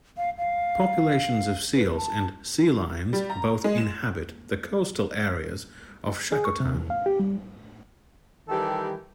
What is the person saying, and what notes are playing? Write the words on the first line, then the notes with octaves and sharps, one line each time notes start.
Populations of seals and sea lions both inhabit the coastal areas of Shakotan.
F5
F5
B4
A5
G3
A#5
G#3
E7
G#4
C#6
C3
E2
F5
G4
G3
D#3 E3 G3 G4 A4